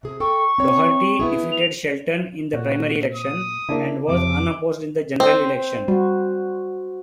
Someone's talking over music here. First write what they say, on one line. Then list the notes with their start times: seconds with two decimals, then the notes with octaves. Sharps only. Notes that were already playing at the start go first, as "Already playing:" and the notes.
Dougherty defeated Shelton in the primary election, and was unopposed in the general election.
0.03 C3 G#4
0.20 A4 G5 C#6
0.58 C4 C#5
1.20 B3 E4 G#4
1.51 F7
2.53 A#2 F#4
3.13 D#6
3.69 C#3 A#3 D4 E4
4.08 F2 A2 C3 D6
5.20 C4 C5
5.88 G3 F#4